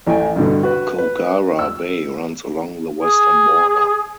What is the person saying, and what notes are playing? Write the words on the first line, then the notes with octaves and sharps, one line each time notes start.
Kogarah Bay runs along the western border.
A1 A2 G5 G#5
G2 B2 D3
F#4 B4
B4
E6
G#4